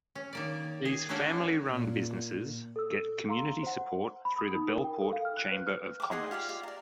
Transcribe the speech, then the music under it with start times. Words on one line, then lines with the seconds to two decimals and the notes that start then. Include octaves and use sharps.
These family run businesses get community support through the Bellport Chamber of Commerce.
0.15 C#4
0.33 D#3 A#3 D5
0.85 G#4
1.09 A#3 C#4 D4 F#4 A4 A#4
1.69 A#2
2.76 A4 E6
3.29 F5 A#5 C6
3.63 C5 F#5
4.25 B5
4.39 D#6
4.55 D#4
4.69 A#4
4.84 G5
5.02 A4
5.13 F5
5.25 F6
5.37 F#6
5.52 B4
5.67 F6
6.00 G5 D6
6.11 D#4 G#4 F#5 C6
6.31 F4 G4 D5 F5
6.49 F4
6.63 D5 A#5